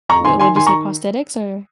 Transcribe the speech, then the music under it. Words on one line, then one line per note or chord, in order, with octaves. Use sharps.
what would you say prosthetics, or?
F2 A#5 C#6
D#3 G#5 C6
D#3 G#5 C6
D#3 G#5 C6
A#5 C#6